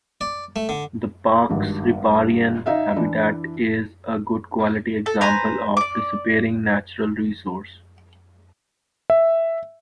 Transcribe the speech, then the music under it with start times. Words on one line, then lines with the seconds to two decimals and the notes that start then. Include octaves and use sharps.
The park's riparian habitat is a good quality example of a disappearing natural resource.
0.21 D5
0.56 A3
0.69 D3
1.49 G#1 G2
2.66 D#4 E5 F5
2.96 E3 D4 E4
5.06 A4
5.21 B4 C5 G#5 A#5
5.77 D5 D6
9.10 E5